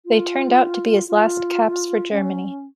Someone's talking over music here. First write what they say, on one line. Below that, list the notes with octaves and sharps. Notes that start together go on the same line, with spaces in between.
They turned out to be his last caps for Germany.
F4
F4
C#4